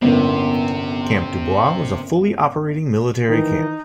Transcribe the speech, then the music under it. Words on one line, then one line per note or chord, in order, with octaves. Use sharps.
Camp Dubois was a fully operating military camp.
G1 A2 C3 A#3 B3 C#4
D#3 E3 D#4